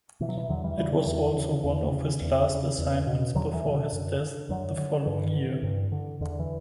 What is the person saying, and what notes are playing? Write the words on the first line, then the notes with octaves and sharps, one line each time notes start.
It was also one of his last assignments before his death the following year.
B2 E3
F#3
E3
E2 D3 F#3
E3 G3
C#3 E3 G3
D3 F#3
E2 E3
C#3
E2
C#3
E2
C#3
E2
B2
E2 D3 F#3
E3
B2
D3
F#2
D3
F#2 D3 F#3
D3
G2 E3
D3
G2
D3
E2 D3
E3